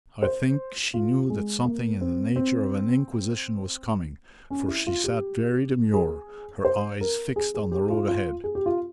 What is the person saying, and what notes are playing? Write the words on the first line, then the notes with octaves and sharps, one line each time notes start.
I think she knew that something in the nature of an inquisition was coming, for she sat very demure, her eyes fixed on the road ahead.
C5
F4
G#3
A#3
C4
C4
C#4
E4
F4
G4
G#4
C5
A#4
G#4
G#4
G4
F4
F4
G#4
G4
F4